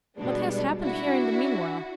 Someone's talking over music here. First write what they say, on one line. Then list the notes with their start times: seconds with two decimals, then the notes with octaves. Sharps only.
"What has happened here in the meanwhile?"
0.17 B2 G3 G#3 B3 D4
0.78 D4 E4 F#4